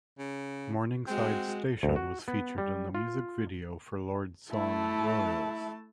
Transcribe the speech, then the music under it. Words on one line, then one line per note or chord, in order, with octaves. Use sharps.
Morningside Station was featured in the music video for Lorde's song "Royals".
C#3
G#3 C4 F#4
D2
F#4
B3
G3
F4
A3 E4 A5